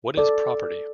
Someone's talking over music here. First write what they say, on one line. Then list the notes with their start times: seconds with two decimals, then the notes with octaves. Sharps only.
What Is Property?
0.17 A4 D5